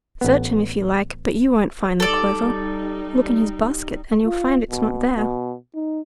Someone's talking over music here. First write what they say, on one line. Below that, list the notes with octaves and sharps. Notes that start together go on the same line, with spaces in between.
Search him, if you like, but you won't find the clover; look in his basket and you'll find it's not there.
A1 B3
G3 D#4 A4 D5
F4
B2
B2
D#4